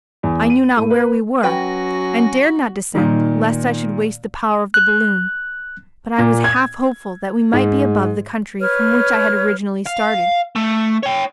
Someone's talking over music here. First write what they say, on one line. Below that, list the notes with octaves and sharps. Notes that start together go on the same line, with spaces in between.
I knew not where we were, and dared not descend, lest I should waste the power of the balloon, but I was half hopeful that we might be above the country from which I had originally started.
E2
D#7
A2
B4
F#3 C#4 F#4 B4 G5 G#5 B5 A#6
A#2 D#3 G3 D#4
F#6
A#2
G#6
G#2
B4 C#5 F6
F5
A3
C#5 G5